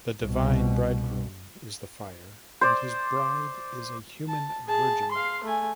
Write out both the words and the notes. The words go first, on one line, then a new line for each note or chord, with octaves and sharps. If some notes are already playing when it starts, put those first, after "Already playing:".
The divine bridegroom is the fire and his bride is a human virgin.
C2 B2
C5 D5
A5
G#4 A5
F5 C6
A3 G#5